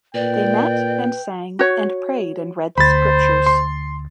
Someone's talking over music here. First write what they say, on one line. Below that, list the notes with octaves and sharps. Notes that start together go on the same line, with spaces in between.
They met, and sang, and prayed and read the Scriptures.
A#2 B4 D5 G5
F#4 C#5
D2 C5 B5 A6
C6